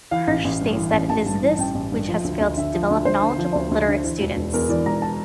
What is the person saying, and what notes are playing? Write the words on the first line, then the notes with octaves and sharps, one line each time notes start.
Hirsch states that it is this which has failed to develop knowledgeable, literate students.
E3 F5
A1
A1
G2
E3
A1
A1 A5
G2
E3
A1 G5
A1
G2
F3
D2
D2
D3 E5
F3
D2
D2 C5
D3
F3
D2
D2
D3
E3
E1
E1
E2 A#4
E3 D5
E1 A#5
A5